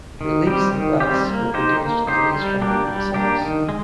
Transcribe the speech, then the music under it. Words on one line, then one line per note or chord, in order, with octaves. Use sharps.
Reliefs in wax were produced at least from the Renaissance.
D#3
G3 C4 G4
D#3
G3 C4 G4
A#3
D#4 G4 C5
A#3
D#4 G4 C5
G3
A#3 D4 G4
G3
A#3 D4 G4
D#3
G#3